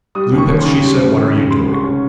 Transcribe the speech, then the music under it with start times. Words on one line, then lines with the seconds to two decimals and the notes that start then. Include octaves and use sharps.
"Lupex," she said, "what are you doing?"
0.15 G3 D#6
0.32 D#2
0.38 C#6
0.49 C#4
0.60 C6
0.65 C#3
0.83 G3
1.00 D#2
1.16 C#4
1.34 C#3
1.50 G#3 C6
1.67 C2
1.72 C#6
1.84 C#4